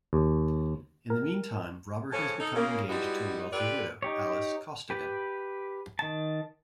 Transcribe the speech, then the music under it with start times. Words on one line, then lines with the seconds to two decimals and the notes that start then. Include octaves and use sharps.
In the meantime, Robert has become engaged to a wealthy widow, Alice Costigan.
0.13 D#2
1.10 A#4
2.12 C#3 E3 F3 C#4 A4 C5
2.39 D#4 A4
2.55 C#3 A#3
2.89 G3 G#3 B3 D#4 E4 F#4
3.52 F4 G4 A4 B4 D5
4.02 D#4 G4 C#5
4.90 G4 B4
5.99 D#3 A5